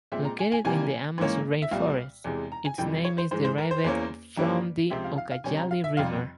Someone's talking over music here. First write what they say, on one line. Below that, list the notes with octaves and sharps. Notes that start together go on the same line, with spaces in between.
Located in the Amazon rainforest, its name is derived from the Ucayali River.
A#2 G#3 C4 E5
A#5
G#5
G#5
C3 E3 G3 A#3 G#5
G#2 E3 A#3 C#4
E5
C2 A#2 G3 F5
E2 C3 E3 G#3
A#5
G#5
F2 C3 E3 G3 G5
C#5
C5
G#2 E3 G#3 C5
C5
A#4
C5
E2 E3 A#3 C#4
G2 E3 G3 A#3 C#4
C#2 C3 F3 C4 E5
F5
F5
F5
C3 G3 C#4 G#5
A#5
F5
E5
F2 C3 G3 F5